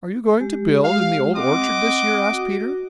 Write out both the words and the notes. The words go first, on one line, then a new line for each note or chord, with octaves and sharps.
"Are you going to build in the Old Orchard this year?" asked Peter.
G#3 G4
F5
C4 D#5 F#5 D6
F#4